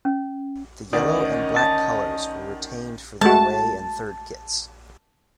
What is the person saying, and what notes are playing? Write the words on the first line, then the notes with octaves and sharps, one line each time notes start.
The yellow and black colours were retained for the away and third kits.
C#4
D2 D#3 C#4 A#4 D5 D#5 F#5 D#6
A5
G#3 A3 F#4 A5